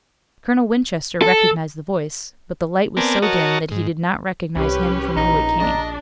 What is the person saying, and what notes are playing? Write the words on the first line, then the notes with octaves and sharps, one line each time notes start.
Colonel Winchester recognized the voice, but the light was so dim that he did not recognize him from whom it came.
A4
B3 C4 A#4 D5 G#5 A5
F#4 A#4 C#5 D#5 A5
G#2
C2 C#4 G4 B4
A#1 D#4 A#5
D4 D#5